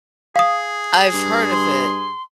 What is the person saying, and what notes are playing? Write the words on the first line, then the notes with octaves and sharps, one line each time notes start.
I've heard of it.
G#4 F5 D#6
G2
C6